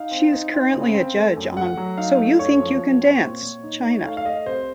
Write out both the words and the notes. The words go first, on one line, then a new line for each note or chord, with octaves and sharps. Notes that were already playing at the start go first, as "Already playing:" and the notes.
She is currently a judge on So You Think You Can Dance China.
Already playing: D#4 F5
C4
D#4
C4
C#3
C4
A3
F#2
A3 F#5
F#3
D#4 F5
A3
F#2 C#5
F3
F#2
C4
A#2
A#2
D#4
D#4
A3 F5
F5
A3 D#5
C2 C5